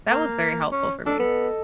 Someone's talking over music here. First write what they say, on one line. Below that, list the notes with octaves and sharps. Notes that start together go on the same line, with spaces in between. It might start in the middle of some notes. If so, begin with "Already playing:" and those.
That was very helpful for me.
A#3
C#4
D4 A4 D#5
B3